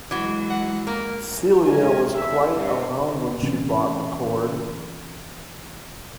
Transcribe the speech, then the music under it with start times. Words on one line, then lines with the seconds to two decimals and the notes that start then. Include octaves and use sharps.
Celia was quite alone when she bought the cord.
0.11 E3 F#3 G#3 F#4
0.50 F#5
0.87 A#3 A#4
1.66 D2 G#3 C#4 A#4 C#5 G#5
2.14 E2 C3 E3 G#3 A4 E5
2.54 G2 C3
3.42 C3 E3 C4 C#4